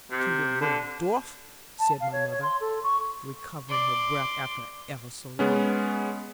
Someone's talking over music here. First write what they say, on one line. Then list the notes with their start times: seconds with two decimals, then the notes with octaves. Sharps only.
'Impudent little dwarf!' said my mother, recovering her breath after ever so long.
0.11 C3
0.61 D3
1.79 A5
2.00 F5
2.12 C#5
2.30 C#5
2.42 C6
2.61 A4
2.84 C#6
3.70 D5 C6
5.39 G#3 B3 C#4